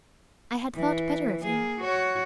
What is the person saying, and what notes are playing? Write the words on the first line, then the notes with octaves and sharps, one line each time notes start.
"I had thought better of you."
E3
A#3 G#4
F#4 C#5